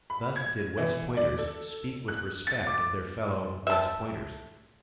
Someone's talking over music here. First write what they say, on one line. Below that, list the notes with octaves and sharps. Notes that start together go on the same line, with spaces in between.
Thus did West Pointers speak with respect of their fellow West Pointers.
B5
G#6
E3
D5
A4
F#6
A6
D6
E5 A5